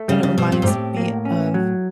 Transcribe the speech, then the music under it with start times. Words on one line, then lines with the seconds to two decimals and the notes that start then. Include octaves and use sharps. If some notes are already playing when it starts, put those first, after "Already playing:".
and it reminds me of,
Already playing: A3
0.08 C#3 G3
0.23 C#3
0.37 B2 C4
0.52 A#2
0.62 G#2
0.67 A2 G4
0.97 A#3
1.25 C#4
1.54 F#3